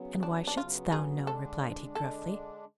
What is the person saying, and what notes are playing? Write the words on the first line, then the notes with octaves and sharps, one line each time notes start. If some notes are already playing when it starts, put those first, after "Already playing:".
"And why shouldst thou know?" replied he, gruffly.
Already playing: C#3 F#3 B3
D4
D4
C#3 F#3 B3 F4
G#4
D3 G#3 D4 A4
D3 G#3 D4 A4